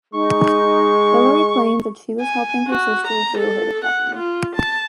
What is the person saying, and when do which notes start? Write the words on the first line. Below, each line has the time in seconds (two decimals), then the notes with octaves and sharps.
Hilary claims that she was helping her sister through her depression.
0.14 G#3 D#4 C#6
2.20 G#5
2.68 F#4
3.08 A#5
3.38 A4
3.85 F#5
4.16 F4
4.56 A5